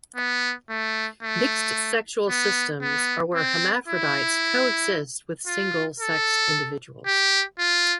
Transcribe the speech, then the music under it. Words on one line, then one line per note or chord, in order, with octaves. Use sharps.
Mixed sexual systems are where hermaphrodites coexist with single sexed individuals.
B3
A3
A3
B3
B3
C4
E4
F4
A4
G4
F4